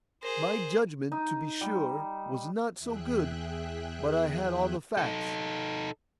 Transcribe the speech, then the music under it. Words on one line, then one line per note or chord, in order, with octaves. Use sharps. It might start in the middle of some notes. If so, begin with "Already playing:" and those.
My judgement, to be sure, was not so good; but I had all the facts.
G#4 A#4 C5
D#4
G3
E2 G#4 E5 G5 F#6
D#4 A4